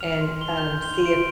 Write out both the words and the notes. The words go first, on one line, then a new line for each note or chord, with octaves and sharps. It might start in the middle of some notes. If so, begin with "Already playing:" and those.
and, um, see if
F6 F7
C6
C6 G7
F7
G6 G7
C6
C6 G7
F7
C6 D7